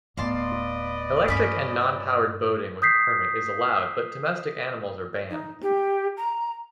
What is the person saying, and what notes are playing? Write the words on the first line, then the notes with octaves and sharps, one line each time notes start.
Electric and non-powered boating with a permit is allowed, but domestic animals are banned.
D1 B3 B4 D5 D#5 F5 A5 C6
G2 C#4 B5 C#6
D#6 G6 B6 C7
D#4
G4
A#5